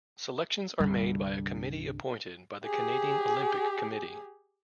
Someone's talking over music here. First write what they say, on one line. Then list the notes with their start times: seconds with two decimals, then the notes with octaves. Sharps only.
Selections are made by a committee appointed by the Canadian Olympic Committee.
0.80 C2 G2 D3 G3
2.66 G4 G#4